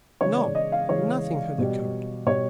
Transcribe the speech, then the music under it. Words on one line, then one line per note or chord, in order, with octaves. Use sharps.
No; nothing had occurred.
C#3 E3 G#3 C#5
D5
D#5
F5
C#3 E3 G#3 C#5
B2 G3
B2 G3 C#5